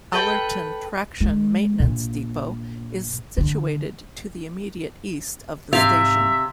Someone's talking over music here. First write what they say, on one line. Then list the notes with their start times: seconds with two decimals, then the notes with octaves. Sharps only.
Allerton Traction Maintenance Depot is situated to the immediate east of the station.
0.13 A4 B4 G5
1.20 G#3
1.79 A#1 A#2
3.38 D3
5.73 G#2 C3 E5 F5